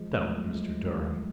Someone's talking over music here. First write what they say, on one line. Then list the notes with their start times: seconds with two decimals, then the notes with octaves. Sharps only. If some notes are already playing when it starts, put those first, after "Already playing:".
"Don't, Mr. Durham!"
Already playing: F3 G#3
0.18 F#3 A3
0.53 F3 G#3